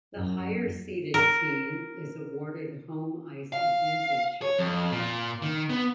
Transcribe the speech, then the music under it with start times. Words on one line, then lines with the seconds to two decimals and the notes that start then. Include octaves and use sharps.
The higher-seeded team is awarded home ice advantage.
0.16 F#2
1.14 A#4
3.53 F5
4.42 C#5
4.59 F2
4.91 A#2
5.42 D#3
5.70 B3